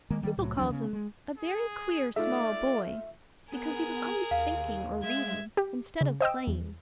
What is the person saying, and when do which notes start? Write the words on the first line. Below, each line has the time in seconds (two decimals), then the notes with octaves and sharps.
People called him a "very queer small boy" because he was always thinking or reading instead of playing.
0.10 D#3 G#3 A#3
0.22 D#3 G3 A#3
0.37 C2 A2 F#3
0.57 D#2 F3 F#3 D4
0.70 C#3 B3
0.93 G#3
1.37 G#4
2.16 A3 D#4 F4 D5 E5
3.52 B3 G#4 A#4
4.31 D#2 F5
5.04 G#3 E5 G#6
5.57 G4
6.01 C#3
6.21 C5 D#5 G5 E6
6.47 E2